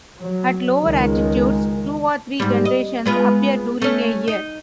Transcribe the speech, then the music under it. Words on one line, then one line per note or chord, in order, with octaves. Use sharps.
At lower altitudes, two or three generations appear during a year.
F#3
C#2 D#3 G#3
G#2 G3
D#5
G#3 B3 F4
A3 C#4
D#4